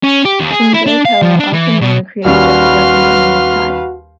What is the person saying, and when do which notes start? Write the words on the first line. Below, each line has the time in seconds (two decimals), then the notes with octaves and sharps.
In Joe Keller, Arthur Miller creates just a representative type.
0.03 C#4
0.25 G4
0.40 D#2
0.51 G#4
0.74 E4
0.87 D4
1.05 F5
1.22 F3
1.40 D4
1.53 E3
1.81 B2
2.25 D#2 G3 C#4 F#4 B4 F5 C6 F6